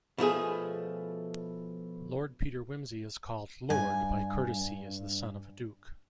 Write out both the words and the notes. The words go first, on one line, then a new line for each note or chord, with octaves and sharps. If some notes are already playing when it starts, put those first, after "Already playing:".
Lord Peter Wimsey is called "Lord" by courtesy as the son of a Duke.
B2 F3 A3 G#4
G2 G#5